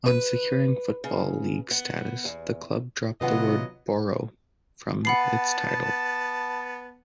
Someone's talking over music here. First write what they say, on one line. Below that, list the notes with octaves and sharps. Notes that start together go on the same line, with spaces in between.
On securing Football League status, the club dropped the word 'Borough' from its title.
B4
C#3
B3
E2
C3 D#3 F#3 B3 F4 B4 D#5 F#5
B3 F#5 A5 B5 C7